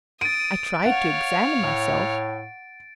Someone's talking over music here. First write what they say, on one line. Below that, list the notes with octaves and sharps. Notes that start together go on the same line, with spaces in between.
I tried to examine myself.
D#6 A6 D7 D#7
C#5 F5 F#5
A2